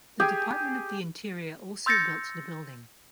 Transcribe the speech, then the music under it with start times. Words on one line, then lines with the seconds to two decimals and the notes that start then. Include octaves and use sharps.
The Department of the Interior also built the building.
0.20 G4 G#4 G5 G#5
1.86 C6 E6 G6 A6 A#6 C#7